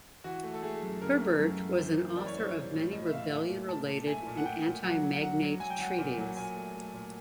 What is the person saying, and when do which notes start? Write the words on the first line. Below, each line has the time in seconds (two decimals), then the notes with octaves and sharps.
Herburt was an author of many rebellion-related and anti-magnate treaties.
0.24 E3 F#4
0.44 A3
0.54 A4
0.63 A3 G#4
0.83 F#2
1.02 C#3 A#4
1.21 A3
1.39 F#2
1.58 F#2
1.78 E3 C5
1.97 A#3
2.16 E3 D5
2.26 C#5
2.36 G3 C5
2.48 C#5
2.55 E3
2.74 A2
2.92 A2 D#5
3.06 E5
3.11 A2 F5
3.18 E5
3.31 A#2
3.50 A3
3.69 A#2 A5
3.88 A#2
4.07 A3 G#5
4.27 A#2
4.37 F#5
4.46 A3 G5
4.65 A#2
4.84 F#3 F#5
5.03 F#3
5.22 F#3 F#5
5.42 F#3
5.60 F#3 G#5
5.70 G5
5.79 F#3 F#5
5.90 G5
5.98 A#2
6.18 F#3
6.37 A#2 G#5
6.56 A3
6.75 A3
6.94 A#2